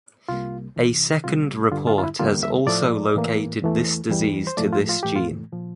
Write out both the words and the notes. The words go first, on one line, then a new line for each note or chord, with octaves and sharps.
A second report has also located this disease to this gene.
C2 C3 G3 A#3 F4
C2 C3 E3
D2 C3 G3 F4
G2 D3 G3 F4
F4
F4
E4
E2 D3 G3 A#3 F4
E5
A2 F3 A3 D5
A2 E3 A#3
E2 E3 A3
E2 E3 G3
C5
A2 F3 A3 D5
F4
F4
A2 E3 A3 G4
F4
A#2 F3